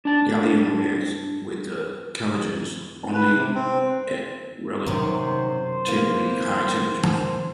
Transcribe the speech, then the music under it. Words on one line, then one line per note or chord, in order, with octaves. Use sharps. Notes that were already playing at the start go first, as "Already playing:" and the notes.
Gallium reacts with the chalcogens only at relatively high temperatures.
D4 A5
B4
C3
C4
F#2 C3 D#3 C5
E3 A#3